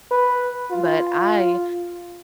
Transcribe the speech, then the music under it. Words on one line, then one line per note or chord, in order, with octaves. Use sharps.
But I
B4
F4